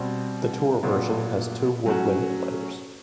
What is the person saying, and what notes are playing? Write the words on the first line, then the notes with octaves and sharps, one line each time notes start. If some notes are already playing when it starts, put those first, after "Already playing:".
The tour version has two woodwind players.
Already playing: B2 G3 C4
A#2 F#3 B3
F#3 A3 C#4 F#4